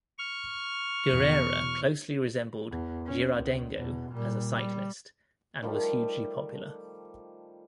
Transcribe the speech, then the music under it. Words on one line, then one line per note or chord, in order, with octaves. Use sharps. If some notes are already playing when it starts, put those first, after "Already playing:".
Guerra closely resembled Girardengo as a cyclist, and was hugely popular.
C#6 F6
E2 B2
E2
C#4
C#2
E2 B2
A#2 G3
G3
D#3 F3 G3 A3